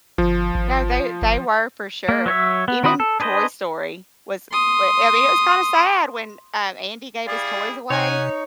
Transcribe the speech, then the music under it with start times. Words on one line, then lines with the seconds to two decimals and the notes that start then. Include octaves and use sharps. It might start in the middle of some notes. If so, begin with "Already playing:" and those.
No, they they were for sure. Even Toy Story was w I mean, it was kinda sad when, um, Andy gave his toys away,
0.18 G1 F3
0.55 G#1
1.22 G1
2.09 A#3
2.26 F#3 C#5 E5
2.68 B3
2.83 D#3 C4 F#4 B5 D#6
3.00 A4
3.20 D4 G#4 B4 C5 D#5
4.52 C6 D#6
7.27 G3 E4 G#4 D5 F5
7.90 C3 D#4 C#5 F#5 G#5